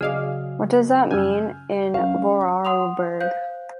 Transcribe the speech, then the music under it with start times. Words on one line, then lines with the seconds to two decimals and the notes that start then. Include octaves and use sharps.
What does that mean in Vorarlberg?
0.01 C#3 F#3 G#4 D5 D#5 F5 D6
1.11 F#2 G#5 E6 F6 G6
1.94 F#3 C#4 F5
2.65 F#5 C6 D#6 F7
3.21 C5 F5 G6